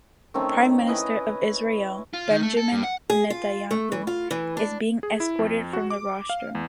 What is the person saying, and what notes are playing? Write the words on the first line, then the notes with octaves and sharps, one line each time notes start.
Prime Minister of Israel, Benjamin Netanyahu, is being escorted from the rostrum.
D#3 A3 C4 C#4
E4 B4 D#5 G#5
F4
D#3
A3
A4
G2
F#5
G#4
F4
A3
E3
F4
E3
D4
G#4
E4
F2
F#4
D6
F5
E2